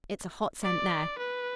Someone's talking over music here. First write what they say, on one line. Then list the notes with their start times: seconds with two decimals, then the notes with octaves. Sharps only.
It's a hot scent there.
0.63 D5
1.18 B4